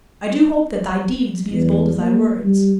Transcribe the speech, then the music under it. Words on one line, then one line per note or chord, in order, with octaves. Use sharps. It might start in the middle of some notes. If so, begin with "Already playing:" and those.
"I do hope that thy deeds be as bold as thy words."
E2
A#3
G3